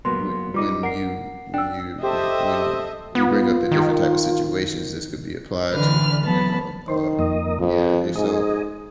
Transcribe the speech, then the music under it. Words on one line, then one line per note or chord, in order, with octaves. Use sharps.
Whe when you when you when when you bring up the different type of situations, this could be applied to, you know, um, yeah, it's so,
F#3 A#3 B3 C6
G3 D#4 F4 D6
A#4 F#5 C7
D4 G5 E6
G4 A4 C5 D#5 E5
B3 F4
D#3
D3 E3 B4 F6
E3 F#3 B3 A5 B5
D#3 C5
F2 A#3 D#5
F2 F3
G#2 G#4 D#5